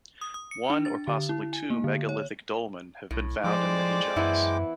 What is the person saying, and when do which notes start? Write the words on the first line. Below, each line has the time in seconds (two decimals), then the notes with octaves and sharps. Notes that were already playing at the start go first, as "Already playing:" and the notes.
One or possibly two megalithic dolmen have been found in the Hijaz.
0.21 D#6
0.34 D#6
0.51 C#7
0.70 D4
0.85 A6
1.08 D3
1.29 E4
1.53 G#5
1.70 A#3
1.84 D3
2.09 C#5
3.11 B1 A2
3.44 F3 G#3 C5 D5 G5 D6
4.16 F#2 E3 B3 E4